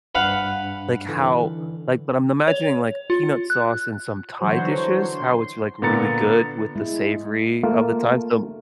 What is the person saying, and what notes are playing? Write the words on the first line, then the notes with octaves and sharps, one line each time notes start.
like, how like, but I'm imagining, like, peanut sauce in some Thai dishes? How it's, like, really good with the savory of the Thai, so
G2 D4 B4 F5 F#5 C#7
D3 E3
C#5
F4
F#6
D3 E3 F#3 F#4 C5 C#5
C6
A#2 D3 B3 A#5 A6 C#7
G#3 E4
A3 A#3 F4